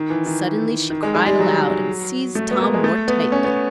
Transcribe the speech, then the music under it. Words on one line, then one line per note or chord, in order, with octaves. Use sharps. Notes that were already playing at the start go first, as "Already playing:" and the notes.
Suddenly she cried aloud and seized Tom more tightly.
Already playing: D#3
E3
D#3
D#3
G#3
G#3
G3
F#3
A3
B3
A#3
G#3
A3
B3
C#4
B3